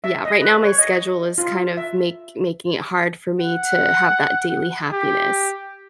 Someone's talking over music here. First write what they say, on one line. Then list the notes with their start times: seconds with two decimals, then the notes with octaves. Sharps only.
yeah, right now my schedule is kind of make making it hard for me to have that daily happiness.
0.04 E5
0.25 D#5
0.41 B4
0.64 C#5
0.78 D#5
1.38 F4
1.77 E5
3.41 F#5
4.92 G4